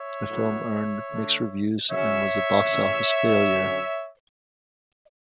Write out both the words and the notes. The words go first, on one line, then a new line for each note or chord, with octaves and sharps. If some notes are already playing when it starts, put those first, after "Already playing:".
The film earned mixed reviews and was a box office failure.
Already playing: C#5 E5
A2 F#3 B3 D4
D3 A3 D4
C#3 F#3 C#4 C#5 E5
C#3 E3 A3 C#4
F#2 D3 F#3 C#4